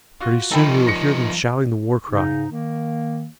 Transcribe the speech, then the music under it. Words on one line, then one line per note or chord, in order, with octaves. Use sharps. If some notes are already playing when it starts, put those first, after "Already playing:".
Pretty soon we will hear them shouting the war-cry.
F4 F#4
F3 D#4 A4 G5 B5
A#6 C#7
G#2 C#3 D#4
D#3 A#3